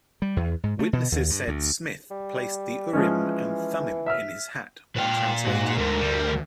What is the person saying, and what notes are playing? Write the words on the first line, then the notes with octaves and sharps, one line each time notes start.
Witnesses said Smith placed the Urim and Thummim in his hat while translating.
G3
E2
G#2
A3
B2
D#2
G2
D2
G3
E3 F3 G#3 C#4
E5 E6 F6
A#2 B4 F5 G5
G#2 F#4
D2 G#2 D3 A#4
D3 G3